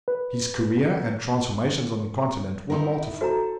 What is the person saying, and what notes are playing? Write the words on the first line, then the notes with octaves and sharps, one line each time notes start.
His career and transformations on the Continent were multiform.
B4
D#4 E4 A#4
F#4 A4 C5 A#5